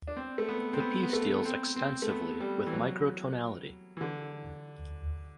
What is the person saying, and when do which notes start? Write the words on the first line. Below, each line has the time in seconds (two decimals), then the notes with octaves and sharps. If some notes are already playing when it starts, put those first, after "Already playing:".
The piece deals extensively with microtonality.
0.07 D4
0.17 C4
0.38 A3
0.49 B3
0.73 C4
0.80 B3
1.03 B3
1.13 A3
1.45 C4
1.76 C4
2.02 A3
2.09 B3
2.40 G3
2.67 E3
2.73 F#3
3.97 E3
4.01 D3